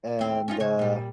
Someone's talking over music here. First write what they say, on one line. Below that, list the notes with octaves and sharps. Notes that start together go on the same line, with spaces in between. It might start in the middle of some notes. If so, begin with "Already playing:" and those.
and, uh,
D#2 C4
C#4 D#4 F4
C#3 C#5
A#2 G3